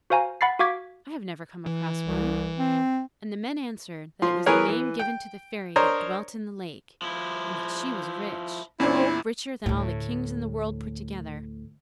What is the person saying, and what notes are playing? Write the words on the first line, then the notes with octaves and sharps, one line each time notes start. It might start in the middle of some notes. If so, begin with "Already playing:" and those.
'I have never come across one.' And the men answered that it was the name given to the fairy that dwelt in the lake, and that she was rich--oh! richer than all the kings in the world put together.
F#4 C5 F5 G#5 A#5
F#5 B5 A6 C7
F#4 F5 D6 G#6 B6
E3
C2
C4
F3 C6
E3 B3 G#4 A#4 B4 C#5
E3
G5
D4 A#4 C5 C#5 D#5 A#5
F3 E4
E2 A#2 C#4 D4 E4 C5
D2 A2